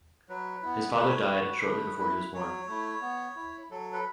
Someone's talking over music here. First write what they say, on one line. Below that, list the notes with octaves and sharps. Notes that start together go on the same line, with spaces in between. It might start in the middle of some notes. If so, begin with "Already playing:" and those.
His father died shortly before he was born.
F#3 B4
B3 E4
A3 B4
C#5
B4
F#4
A3
E4
F#3 C#5
A3 E4
B3
E4
F#3 A4
B4